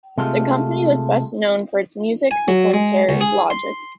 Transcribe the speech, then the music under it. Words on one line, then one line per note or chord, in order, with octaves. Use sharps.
The company was best known for its music sequencer, Logic.
C3 G#3 A3 F4
G#5
F#3
G#3
C#2
G#4
C6